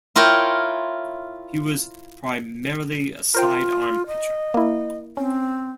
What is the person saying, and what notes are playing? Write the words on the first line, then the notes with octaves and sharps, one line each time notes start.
He was primarily a side-arm pitcher.
E4 F4 A#4 C#5 G5
F4 A#4 C5 G5
D#5
A#3 E4
C4 C#4